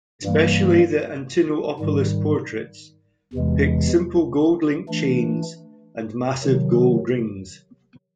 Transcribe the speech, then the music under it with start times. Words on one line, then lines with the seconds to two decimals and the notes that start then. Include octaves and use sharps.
Especially the Antinoopolis portraits depict simple gold link chains and massive gold rings.
0.24 G2 E3 G3 A#3
1.79 G#2 D#3 G3
3.33 E2 C3 E3 G#3
4.89 E3 A3 D4
6.43 C3 D#3 F#3